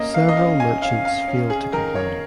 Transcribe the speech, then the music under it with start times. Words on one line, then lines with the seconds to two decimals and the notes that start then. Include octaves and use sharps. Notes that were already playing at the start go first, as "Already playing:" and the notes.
Several merchants failed to comply.
Already playing: A#3 C#4 D#5
0.14 F5
0.29 D#5
0.37 C#4 F5
0.60 G#5
0.82 C#4 F5
1.05 F5
1.28 C#4
1.50 G#4
1.73 D#3 A#4
1.95 C#5